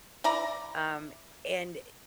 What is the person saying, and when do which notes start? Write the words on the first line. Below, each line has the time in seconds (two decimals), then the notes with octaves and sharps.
um and
0.24 E4 D5 A#5